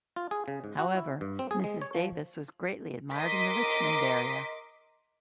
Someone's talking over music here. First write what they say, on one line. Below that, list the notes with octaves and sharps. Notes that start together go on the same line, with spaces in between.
However, Mrs. Davis was greatly admired in the Richmond area.
F4
G#4
C#3
G#2
F#4
E4
G2
C4
G#4
G#3
C#5
F3
A#4 D#5 C6 D6 B6